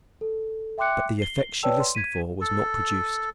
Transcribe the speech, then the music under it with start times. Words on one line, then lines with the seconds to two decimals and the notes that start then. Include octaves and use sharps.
But the effect she listened for was not produced.
0.21 A4
0.78 E5 G5 C6 D6 F#6 C#7
1.19 C7 G7
1.63 B4 C#5 D5 G5 A5 E6
1.80 C6
1.95 G#6 B6 D#7
2.41 A4